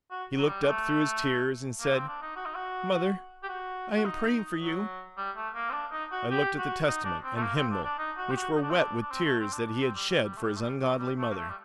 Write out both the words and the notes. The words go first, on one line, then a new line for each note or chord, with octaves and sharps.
He looked up through his tears and said, "Mother, I am praying for you." I looked at the Testament and hymnal which were wet with tears that he had shed for his ungodly mother.
F#4
F#3
G3
G3
A3
A#3
C4
D4
D#4
F#4
D#4
F#4
G4
F#4
F#4
D#4
F#3
G3
A3
A#3
C4
D4
D#4
F#4
G4
F#4
D#4
D4
C4
A3
A#3
C4
D4
D4
D#4
F#4
G4
F#4
D#4
D4
C4
D4
D4
C4
A3
C4
D4
D4
C4
G3
G3
G3
A3
G3
A3
G3
F#3
G3
A3
A#3
A3
G3